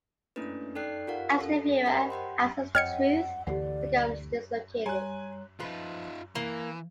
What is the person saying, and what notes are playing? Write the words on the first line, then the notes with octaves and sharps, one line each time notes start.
As the viewer, access to truth becomes dislocated.
A3 A#3 C#4 D4 E4 B4
D#4 A4 D5 G5 F#6 C7
F4 G4 A#4 F5 F#5
C#4 A4
G4 A#4 C5 D#5 F#5 B5
G4 F#5 G5 C6
F2 C#5 D#5 F#5 G5 F6 G#6 C#7
D2 D3 E3 G4 D5 F#5
G3 C#5 G#5 A#5 C6 F#6
F3 D#4 F4 B4
E3 A#3